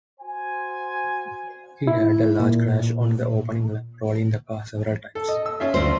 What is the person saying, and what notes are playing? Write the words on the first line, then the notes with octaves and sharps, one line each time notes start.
He had a large crash on the opening lap, rolling the car several times.
F#4 C5 G#5
E4
A#2
A4
D#5
E6
C#4 F4 E5
D2 C5